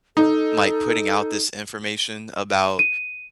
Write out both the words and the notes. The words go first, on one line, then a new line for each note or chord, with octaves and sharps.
like, putting out this information about
D#4 A4
D#7